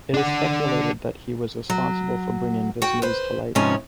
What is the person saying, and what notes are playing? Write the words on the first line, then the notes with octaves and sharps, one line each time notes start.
It is speculated that he was responsible for bringing this news to light.
D4 F#5
F#3
F#4 G5
B4 C5
G#2 C3 F3 B3 C#4